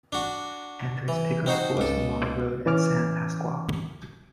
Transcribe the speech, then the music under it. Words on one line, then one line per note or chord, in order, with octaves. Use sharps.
Andres Pico's force along the road at San Pasqual.
D4 F#4
E3
C4 D#4 F#4 C5
C#2 A4
E3 C#4 D6 F6